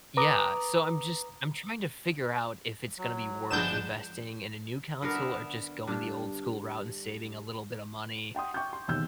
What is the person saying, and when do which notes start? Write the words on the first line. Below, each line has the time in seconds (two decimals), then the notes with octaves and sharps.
Yeah. So, I'm just I'm trying to figure out if it's gonna be worth investing in a new console or just going the old school route and saving a little bit of money.
0.17 B4 A#5 D6 D#6
2.98 F#3
3.51 G1 F3 G#3 B3 D4 G6 E7
5.02 D3 B3 A#4
5.15 E5
5.87 G2 D4
8.35 F#5 G5 C6 D#6
8.54 G5 C#6 D6 G6
8.73 C6
8.88 E1 D#2 E6 G6